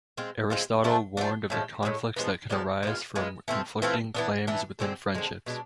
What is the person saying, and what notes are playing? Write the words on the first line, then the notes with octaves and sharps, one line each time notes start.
Aristotle warned of the conflicts that can arise from conflicting claims within friendships.
G#3 C4 F4
G#3 C4 F4
F3 A3 D4
F3 A3 D4
A2 F3 G#3
A2 F3 G#3
F3 G#3 B3 D4
F3 G#3 B3 D4
G#3 B3 F4
G#3 B3 F4
E3 A3 C4 F4
E3 A3 C4 F4
E3 B3 D4
E3 B3 D4
D3 G#3 C4
D3 G#3 C4
B2 G#3 D4